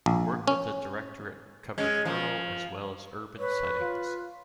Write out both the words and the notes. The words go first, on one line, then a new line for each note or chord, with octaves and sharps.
Her work with the Directorate covered rural as well as urban settings.
A#1
C#4
G#3 C#4
F3
B4 C#5
F4